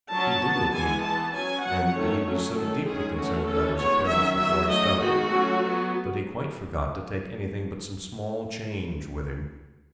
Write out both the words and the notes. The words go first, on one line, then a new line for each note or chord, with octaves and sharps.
He did look neat, and he was so deeply concerned about his appearance before he started that he quite forgot to take anything but some small change with him.
F#3 C#4 A5
F#3 B3
E3 G#3 B3 G#5
E3 A5
B3
F#3 C#4 G#5
F#3 B3 F#5
D#3 A3 C#4 C#5
F#3 A3 C#4
D#3 A3 C#4 A4
D#3 G#3 C#4 G#4
E3 A3 C#4 F#4
E3 A3 C#4 A4
E3 G#3 B3 C#5
D#3 F#3 C#4 E5
F#3 B3 E5
F#3 A3 C#4 D#5
D#3 G#3 B3 F#4
F#3 A3 C#4
F#3 B3